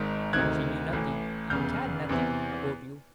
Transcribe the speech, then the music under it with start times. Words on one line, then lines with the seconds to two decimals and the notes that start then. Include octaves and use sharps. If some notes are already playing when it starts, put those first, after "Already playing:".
She knew nothing, and cared nothing, about you.
Already playing: G#1 G#2 D#3
0.33 D2 C3 D#3 F#6 G#6
0.93 A1 A2 E3
1.50 F1 E2 C#3 F6 G6
2.09 E2 C3 E3